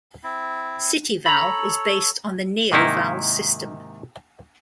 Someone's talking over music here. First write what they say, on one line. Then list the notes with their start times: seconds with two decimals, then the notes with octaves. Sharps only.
CityVal is based on the NeoVal system.
0.24 C4 E4
1.26 A4 C#5 A#5 B5
2.72 G#2 C3 D#3 A#3 D#4 E4